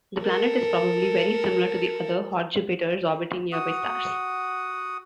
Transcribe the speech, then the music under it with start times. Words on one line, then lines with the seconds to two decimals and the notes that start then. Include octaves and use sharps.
The planet is probably very similar to the other "hot Jupiters" orbiting nearby stars.
0.22 A4 A#4
3.52 F#4 F#5 D#6